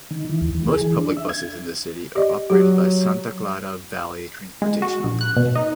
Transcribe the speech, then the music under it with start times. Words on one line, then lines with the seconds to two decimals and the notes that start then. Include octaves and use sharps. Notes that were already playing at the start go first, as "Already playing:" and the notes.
Most public buses in the city are operated by Santa Clara Valley Transportation Authority.
0.11 D#3
0.29 E3
0.41 D#2
0.55 E3
0.68 G#4
0.82 E3
0.98 D4
1.17 E5
1.29 G#6
2.15 G4 D5 D#5
2.50 F#3 G4
4.62 G#3
4.82 F#4
5.04 A#1
5.21 F#6
5.36 B2
5.55 D#4